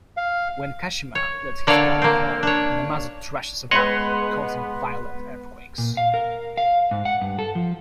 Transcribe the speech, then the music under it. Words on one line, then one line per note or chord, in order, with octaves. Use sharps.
When Kashima lets his guard fall, Namazu thrashes about, causing violent earthquakes.
F5
C#5
D3 A#3 A4 C#5 D5 F5
A#3 C4
D4 C#5
G#3 B3 B4 C#5 D#5 F#5 C6
A#2
F5
A#4
F5
G#2
F#5
G2
A4
F3